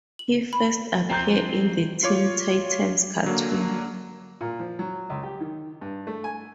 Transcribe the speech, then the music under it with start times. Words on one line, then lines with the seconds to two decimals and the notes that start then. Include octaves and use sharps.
He first appeared in the "Teen Titans" cartoon.
0.19 F#7
0.53 B5
1.10 F3 C4 G5 A#5 G6
2.03 F4 C#5 D6
3.25 D3 F#3 A#3
4.41 A#2
4.59 F3
4.79 F#3
5.10 C#2
5.23 G4
5.41 D#3
5.81 G2
6.07 A3
6.24 G#5